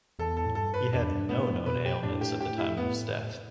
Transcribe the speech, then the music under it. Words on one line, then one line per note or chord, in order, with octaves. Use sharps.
He had no known ailments at the time of his death.
E2 A4
A4
A2
G2 A4
B4
E2 D4
G2
A2 B3
A2
B2 B4
G4
A2 D4
G4
G4
E4
B3